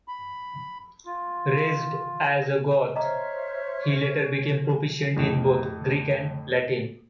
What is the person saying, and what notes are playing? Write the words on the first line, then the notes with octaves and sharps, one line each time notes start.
Raised as a Goth, he later became proficient in both Greek and Latin.
B5
F4
C5 C#5 D#5 E5 A#5 F6
F2 A2